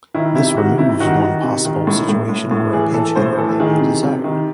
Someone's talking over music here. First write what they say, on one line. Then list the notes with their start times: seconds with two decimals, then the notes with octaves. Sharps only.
This removes one possible situation where a pinch hitter may be desired.
0.15 D#3 E4
0.35 C3 E4
0.56 D#3 F#4
0.78 C3 E4
1.00 D#3 F#4
1.22 D#3
1.43 C3
1.65 D#3
1.87 A2
2.09 A2
2.29 A2
2.51 A2
2.73 E3 G#4
2.94 E3 A4
3.16 A2 C5
3.37 E3 A4
3.60 D#3 G#4
3.81 C3
4.03 C3
4.24 D#3